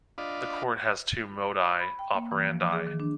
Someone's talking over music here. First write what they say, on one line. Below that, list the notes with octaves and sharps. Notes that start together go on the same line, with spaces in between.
The court has two modi operandi.
D4 F4 D5 D#5 F5 B5
B5
G5
A#3
E3
F3
D6
G#4
D#3
D4